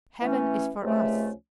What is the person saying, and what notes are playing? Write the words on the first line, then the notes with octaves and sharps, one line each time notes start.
Heaven is for us!
E3 A3 C#4
C#2 C3 F3 A3 C#4